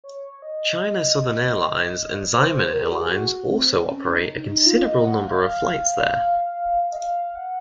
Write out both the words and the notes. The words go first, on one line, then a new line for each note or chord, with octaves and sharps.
China Southern Airlines and Xiamen Airlines also operate a considerable number of flights there.
C#5
D#5
C5
A#4
G#4
F#4
G#4
F#4
C4
C#4
D#4
D#4
D#4
F4
D#5
F#5
F5
D#5
F5
D#5
F5
F#5